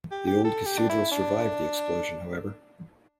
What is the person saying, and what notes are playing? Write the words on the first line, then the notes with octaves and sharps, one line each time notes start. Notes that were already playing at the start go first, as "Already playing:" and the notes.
The old cathedral survived the explosion, however.
G4
G4
A4
G4
D4
E4
D4